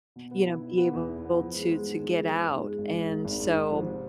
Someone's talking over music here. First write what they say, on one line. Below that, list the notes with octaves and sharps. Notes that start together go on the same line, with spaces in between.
you know, be able to to get out, and so,
B2
B3
E4
E4
B3
E2
E4
B3
F3
G#3
G#3
G#2
G#3
F3
G#3
G#2
G#3
G#1
G#3
G#1
G#1
G#2
G#2
F3
C3